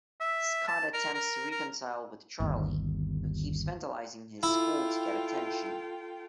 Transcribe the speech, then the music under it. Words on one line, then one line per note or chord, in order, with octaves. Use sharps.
Scott attempts to reconcile with Charlie, who keeps vandalizing his school to get attention.
E5
A5
A#4
A#4
A#4
G1 D#2
E4 F4 A4 G5